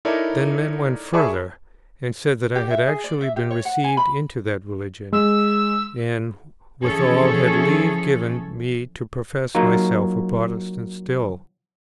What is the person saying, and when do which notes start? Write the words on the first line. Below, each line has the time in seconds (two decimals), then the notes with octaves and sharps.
Then men went further, and said that I had actually been received into that religion, and withal had leave given me to profess myself a Protestant still.
0.05 D#4 E4 A4 A#4 C#5 D5
1.13 G#4 D5 E5 A5 B5 C#6
2.55 G4
2.70 E5
2.87 G#4
3.04 D5
3.21 E5
3.36 G4
3.51 C#5
3.65 F#5
3.84 G#5
3.97 B5
5.12 G#3 E6
6.84 E3 F3 C#4 G#4 A4 C#5
9.55 F#3 A#3 D#4 F4 A#5